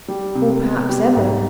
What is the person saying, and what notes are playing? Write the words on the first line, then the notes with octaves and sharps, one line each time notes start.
"Or perhaps ever."
G3
C3
B3
G3
G#2